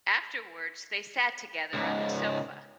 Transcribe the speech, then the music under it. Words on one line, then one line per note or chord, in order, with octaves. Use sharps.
Afterwards they sat together on the sofa.
C#2 G#2